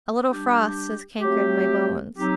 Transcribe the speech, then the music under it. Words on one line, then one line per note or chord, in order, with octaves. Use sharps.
A little frost has cankered my bones.
G3 D4 G4
F#3 A3 C4 G4
F#3 C4 D#4 G4